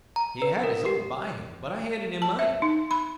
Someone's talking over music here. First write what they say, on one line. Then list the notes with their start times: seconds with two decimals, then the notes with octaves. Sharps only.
He had his own by him, but I handed him mine.
0.16 A#5
0.42 B4
0.63 A#4
0.86 G4
2.22 A5
2.39 E5
2.62 D#4
2.91 B5